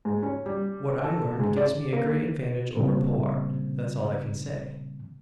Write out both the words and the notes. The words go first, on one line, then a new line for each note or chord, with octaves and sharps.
What I learned gives me a great advantage over Powart; that's all I can say.
G#2
C#4
G3
A4
G#2
D5
A#3
A#2 C#3 G3 C4